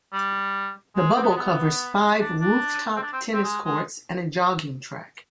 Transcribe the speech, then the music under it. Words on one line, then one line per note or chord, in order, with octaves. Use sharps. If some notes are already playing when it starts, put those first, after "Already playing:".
The Bubble covers five roof-top tennis courts and a jogging track.
G3
G#3
C4
B3
G#3
B3
D4
D4
C4
D4
C4
C4
G#3
G#3